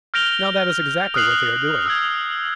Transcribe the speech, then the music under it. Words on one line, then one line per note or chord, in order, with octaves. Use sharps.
Now that is exactly what they are doing.
F6 G6 A#6 D7 F7 G7
D#6 F6 F#6 C7 F#7
E6 F6 G#6